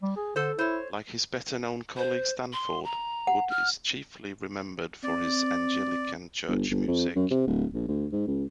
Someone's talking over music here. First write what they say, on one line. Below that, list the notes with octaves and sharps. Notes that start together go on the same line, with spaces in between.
Like his better-known colleague Stanford, Wood is chiefly remembered for his Anglican church music.
G3
G#4
D3 A4 C5
E4 C5 C#5
C5
C6
A#5
F#5
F6
C4 D5
G1
G1
F2
F#2
C3
D1
A#1
D2
G#2
C#2